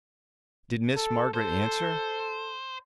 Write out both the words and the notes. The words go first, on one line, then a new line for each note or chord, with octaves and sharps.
"Did Miss Margaret answer?"
A4
A4 C5